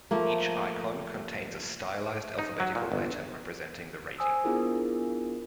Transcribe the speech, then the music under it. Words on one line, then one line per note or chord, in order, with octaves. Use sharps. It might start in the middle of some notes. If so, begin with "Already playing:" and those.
Each icon contains a stylized alphabetical letter representing the rating.
F3 A3 A#3
D#4
F#3
A#2
G1
C5 G#5 D#6 E6
B3 D4 E4 F4 G#4 A#4